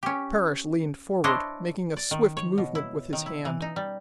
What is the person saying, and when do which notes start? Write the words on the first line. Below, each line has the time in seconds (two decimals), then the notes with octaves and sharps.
Parrish leased forward, making a swift movement with his hand.
0.03 C#4 G4
1.24 D4 E4 C5 C#5 D#5
1.97 D5
2.11 D#3
2.37 C#5
2.58 B2
2.75 E4
3.13 D#3
3.26 E4
3.45 E3
3.62 D#4
3.76 G3